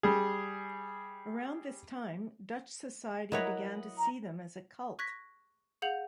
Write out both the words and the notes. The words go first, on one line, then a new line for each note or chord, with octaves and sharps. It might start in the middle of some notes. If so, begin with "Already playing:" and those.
Around this time, Dutch society began to see them as a cult.
G3 G#4
F#3 E4 A#4 B4 C#5 D#5 F#5 B5
A#5
C#6 F#6 G#6 A#6 B6
G#4 F5 F#5 G6 F7 F#7